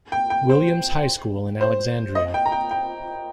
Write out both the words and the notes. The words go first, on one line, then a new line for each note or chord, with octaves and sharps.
Williams High School in Alexandria.
G5
G5
C5
C5
D#5
G5
A#5
G5
G5